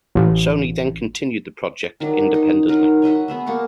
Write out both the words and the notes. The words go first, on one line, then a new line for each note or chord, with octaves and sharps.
Sony then continued the project independently.
A1
D#3 F#3 D4
D#4
F#3 D#4 A#4 B4
C#5 D#5 E5 F#5
B3 G#4 E5
A#3 F#4 C#6